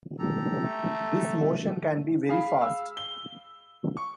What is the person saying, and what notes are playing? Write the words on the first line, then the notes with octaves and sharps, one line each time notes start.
This motion can be very fast.
G4 A4 A#5
A3
G#4 F5 B5
F5 E6
G7
C#6